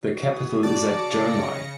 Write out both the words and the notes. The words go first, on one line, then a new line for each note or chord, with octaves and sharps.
The capital is at Jounieh.
B3 F#4 G#4 D#6
C#3 D5 A5 A#6 C#7